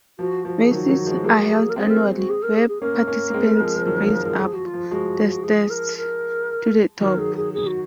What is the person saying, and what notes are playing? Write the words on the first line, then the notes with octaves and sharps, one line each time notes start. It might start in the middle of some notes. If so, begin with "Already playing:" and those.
Races are held annually, where participants race up the stairs to the top.
F3 F#4
F3 F#4
G#4
D#3 F#3 F#4
D#3 F#3
F3 G#3
F#3 A#3 G#4
A#4
G#3 C4 G#4
A#4
F#4
G#4
A#4
G#4
G#4
A#3 C#4 A#4
A#3 C#4
A#3
G#3 C4
F3 G#3
F3
D#3 F#3
F3
F3
F3 G#3
F3 G#4
F#4
F4
F3
F3 G#3 F#4
G#4
A#4
A#4
D#3 F#3 A#4
G#4
G#4
G#4
F#4